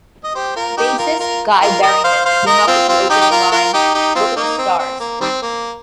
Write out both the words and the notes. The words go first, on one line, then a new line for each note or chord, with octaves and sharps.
Bassist Guy Berryman came up with the opening line "Look at the stars".
D#5
G4 C5
F4 A#4
D#4 G4
F4 A#4
F4 A#4
F4 A#4
A#4 D#5
C5 F5
C5 F5
A#4 D#5
C4 F4
C4 F4
D#4 G4
G4
F4 A#4
F4 A#4
D#4 G4
D#4 G4
C4 F4
A#3 D#4
C4
C4
A#3
D#3 G3 C4
A#3